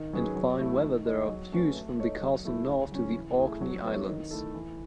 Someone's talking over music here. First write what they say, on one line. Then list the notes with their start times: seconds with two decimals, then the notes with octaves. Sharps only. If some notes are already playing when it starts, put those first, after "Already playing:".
In fine weather there are views from the castle north to the Orkney Islands.
Already playing: D#3
0.13 F#3 C#4 G#4 B4
0.35 F#3
0.59 A3 E4
0.83 D#3
1.05 G#3 D#4 G#4
1.28 F#3
1.52 A3 C#4 F#4 B4
1.75 A3
1.99 D#4 A4 C#5
2.21 F#3
2.45 A3 E4
2.68 C#3
2.92 F#3 C#4
3.14 E3
3.38 A3 E4 G#4
3.61 F#3
3.85 B3 E4 A4 C#5
4.08 D#3
4.31 A3 E4 A4
4.54 E3